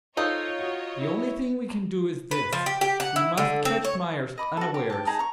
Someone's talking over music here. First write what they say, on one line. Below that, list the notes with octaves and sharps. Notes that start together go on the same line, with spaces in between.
The only thing we can do is this--we must catch Myerst unawares.
D#4 F4 A4 C5 C#5 D#5 F5
F#4
E4
B4
F3
G4
G4
F#5
E4
D3
C4
C#5
D#5 B5 D6
F#4 A4
G4
G5 A5
D#4 G#4 A5 A#5
A#5 C#6